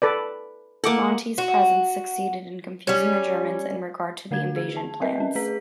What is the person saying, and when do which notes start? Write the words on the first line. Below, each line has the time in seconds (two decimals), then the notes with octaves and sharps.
"Monty's" presence succeeded in confusing the Germans in regard to the invasion plans.
0.02 A4 B4 D5
0.84 A#3 A4 F#5 D6
1.38 F#4
2.87 G3 C#4
4.31 D3 A3 D4 F#4 G#6
4.56 G#4
4.77 A5
5.01 C4 A#4 B4 D#5 E5
5.20 C#4
5.35 A3 G#4 B4 A#5 B6